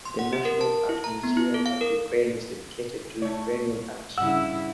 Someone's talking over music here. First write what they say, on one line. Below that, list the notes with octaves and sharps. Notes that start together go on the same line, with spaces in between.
The National Art Museum of Ukraine is dedicated to Ukrainian art.
C6
F#5
G4
A#4
A5
E4
A#5
B3
E4
A4
F5
A#4
A3 C#5
G2 C#3 E4 F#5 E6